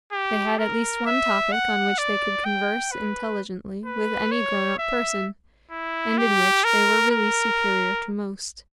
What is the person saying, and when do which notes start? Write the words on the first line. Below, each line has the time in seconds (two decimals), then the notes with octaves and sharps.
They had at least one topic on which they could converse intelligently with any grown-up person, and in which they were really superior to most.
0.12 G4
0.58 A#4
1.06 E5
1.52 F#5
1.98 D5
2.45 G5
2.91 B4
3.85 B4
4.31 C#5
4.78 E5
5.71 E4
6.18 G4
6.64 A#4
7.11 A#4